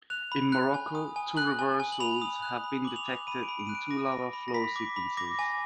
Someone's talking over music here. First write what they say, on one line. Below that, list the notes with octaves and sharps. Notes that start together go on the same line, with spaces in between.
In Morocco, two reversal have been detected in two lava flow sequences.
F#6 F7
B5
F#6
G#5
D#6
G#5
F#6 F#7
G#5
G#5
F#7
B5 F7
D#6
F#6
B5
D6 F#7
F7
D6
B5 D#7
D7
B5
D7
F#6 D#7
D7
D6 A#6
B5
B5
A#6
B5 B6
D6
B5
D6 A#6
G#5